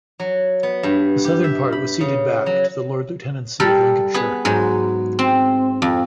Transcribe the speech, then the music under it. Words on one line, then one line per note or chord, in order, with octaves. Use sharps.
The southern part was ceded back to the Lord Lieutenancy of Lincolnshire.
F#3
B3
G2
G4
E5
B5
C#3
F#3
G3 A4 A#4
B3 G#4 B4
G#2 F#3 G#3
C4
F2